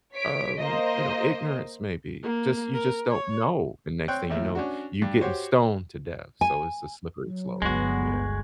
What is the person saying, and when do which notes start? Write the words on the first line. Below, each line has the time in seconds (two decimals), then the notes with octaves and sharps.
um, you know, ignorance, maybe. Just you just don't know. The next thing you know, you're getting stoned to death, so it's a slippery slope. Yeah.
0.13 C#5 B6 D7
0.57 A#3 C5 D#5
2.23 A#3
2.74 A#4
3.11 C#5
4.08 C4 C#5 G5 F#6
4.30 D#2 A2 E5
4.55 C#4 D4 F#4
5.02 G2
5.21 F#4 G4 C5 C#5
6.41 G#5
7.24 F#3
7.62 G1 D2 G#3 B3 F#4